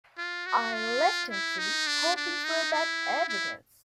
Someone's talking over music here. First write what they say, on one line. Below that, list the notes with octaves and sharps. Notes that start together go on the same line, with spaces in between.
I left him free, hoping for that evidence.
F4
F#4
F4
E4
D#4
D4
D4
D#4
E4
E4